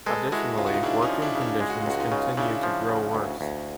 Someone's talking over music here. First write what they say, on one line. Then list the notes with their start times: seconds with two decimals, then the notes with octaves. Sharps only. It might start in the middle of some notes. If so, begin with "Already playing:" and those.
Additionally, working conditions continue to grow worse.
0.06 G#3 A4 B4
0.32 G#3 E4 F#4
0.58 C#2 F4
0.66 F#4
0.74 D#4 F4
0.83 C#3 D4 E4
1.02 C#4 D#4
1.09 F3
1.22 D4 E4
1.35 C#3
1.41 D4 E4
1.60 G#3 F4
1.70 F#4
1.81 F4
1.86 C#2 F#4
2.00 D#4 F4
2.12 C#3
2.37 C#3 D4 E4
2.63 F3
2.89 C#3
3.15 D2
3.41 D2